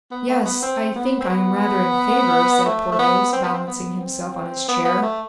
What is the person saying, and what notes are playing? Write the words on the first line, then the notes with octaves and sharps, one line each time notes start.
"Yes; I think I am rather in favor," said Porthos, balancing himself on his chair.
B3
A3
B3
C4
B3
C4
B3
A3
A3
B3
C4
B3
C4
B3
C4
B3
B3
A3